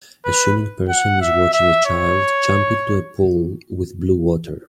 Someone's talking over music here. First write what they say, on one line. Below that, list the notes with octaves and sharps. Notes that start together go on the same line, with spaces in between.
A swimming person is watching a child jump into a pool with blue water.
B4
F#5
E5
E5
C#5